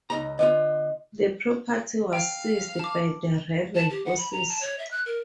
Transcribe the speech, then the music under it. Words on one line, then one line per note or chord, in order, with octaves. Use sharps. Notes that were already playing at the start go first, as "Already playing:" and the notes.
The property was seized by the rebel forces.
C#2 D#4 A#5
D3 B3 F4 D#5
F5 G5
A5 D6
A5
G4
F#5
B5
A#5
A5
C#5
E5
F#6
A#4